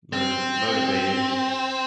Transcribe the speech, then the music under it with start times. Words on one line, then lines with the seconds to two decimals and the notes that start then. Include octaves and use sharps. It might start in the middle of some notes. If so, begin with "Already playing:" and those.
moti motivated.
0.13 C4